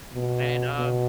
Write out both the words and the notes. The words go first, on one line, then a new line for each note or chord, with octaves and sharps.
And, uh
B2
B2